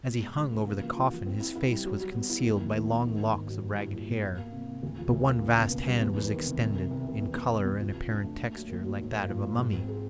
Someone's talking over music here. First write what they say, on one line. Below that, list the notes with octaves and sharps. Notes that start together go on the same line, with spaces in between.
As he hung over the coffin, his face was concealed by long locks of ragged hair; but one vast hand was extended, in colour and apparent texture like that of a mummy.
B2
G#3
G#3
C#2
A#3
F3
F3
F3
C4
E4
E4
G3
F#3
F#3
B3
E4
D#2
D#3
D#3
B3
D#3
G#2
G#2
F#3
G3
E4
A#2
B3
A#3
A#3
C3
C3
D2
F3
D2
A#3
C#2
B2
C#2
G3
E2
E2
D#3
C3
C2
C2
C2
C2
E2
E2
C3
E2
F4
F4
D4
A3
A#3
F#3
D#2
F#3
G#2
A#3
F3
G#2
G#3
C4
G#4